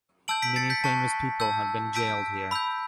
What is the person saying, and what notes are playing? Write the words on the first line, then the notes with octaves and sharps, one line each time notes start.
Many famous people have been jailed here.
A5 E6 G6 D7 F#7
B6 D7
A6 C#7
G6 B6
A5 C#6 F#6
A5 E6 G6
A5 E6 G6 B6 D7
B5 E6 G6